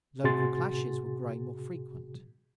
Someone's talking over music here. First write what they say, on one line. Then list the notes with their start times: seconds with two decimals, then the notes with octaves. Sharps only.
Local clashes were growing more frequent.
0.24 A2 C3 F#4 G#4 C6 A6